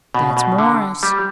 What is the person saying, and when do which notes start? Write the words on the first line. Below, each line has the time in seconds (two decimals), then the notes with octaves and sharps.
That's Morris.
0.14 B2
0.37 B2
0.58 D3
1.03 G3